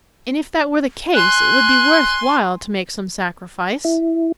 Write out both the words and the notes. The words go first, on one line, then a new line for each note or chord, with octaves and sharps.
"And if that were the case it would be worth while to make some sacrifice."
G#5 C6 F#6
E4